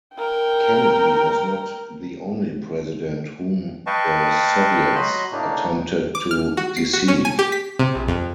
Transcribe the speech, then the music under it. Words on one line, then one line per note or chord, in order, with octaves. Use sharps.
Kennedy was not the only president whom the Soviets attempted to deceive.
A#4 G5
B4 D#5 F5 G5 A5 C#6
F#3 F#4 D#5 B5 C6
A2 C#3 A#3 D4 D#4
D6
F6
F#4
C7
F#4
C#4
G#5
G4
B6
C3
A#1
F2